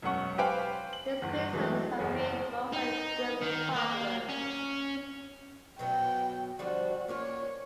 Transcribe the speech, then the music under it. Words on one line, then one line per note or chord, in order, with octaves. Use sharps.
His criticisms have made Moussa extremely popular.
E1 F#2 C#4 F#5 C#6
G4 B4 C5 F5 G5 G#5
F#7
G1 E2
E3 F#3 G#3 A3
F#1 E2 G#4 C#5
D#4
D#3
A#3
C#4
B2 F#3 B3 G5
D3 F3 G3 F#4
A#3 C#4 F4 C#5